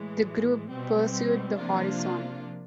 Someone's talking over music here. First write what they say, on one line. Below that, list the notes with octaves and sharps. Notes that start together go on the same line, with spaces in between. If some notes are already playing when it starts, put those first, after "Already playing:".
The group pursued the Horizon.
Already playing: A2 E3 G#3
B2 G3 C4
C3 F3 A#3 D4 F4